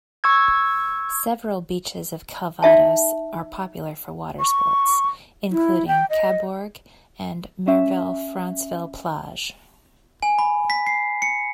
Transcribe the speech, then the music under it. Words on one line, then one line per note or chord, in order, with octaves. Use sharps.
Several beaches of Calvados are popular for water sports, including Cabourg and Merville-Franceville-Plage.
C#6 E6 G#6
D#4 E5 A5
C#6
E4
G5
D#5
C#4 E5
G#5
B5
B6
C7
C#7